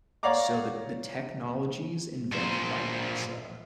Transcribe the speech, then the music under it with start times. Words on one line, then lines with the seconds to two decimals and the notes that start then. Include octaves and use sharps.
So, the the technologies invented by NASA,
0.23 C#5 D5 F5 F#5 A#5 D6
2.32 A#2 C5